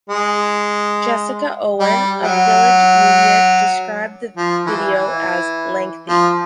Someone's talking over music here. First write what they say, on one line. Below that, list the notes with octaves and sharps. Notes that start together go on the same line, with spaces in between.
Jessica Owen of Village Media described the video as "lengthy".
G#3
G3
F#3
F3
E3
E3
F3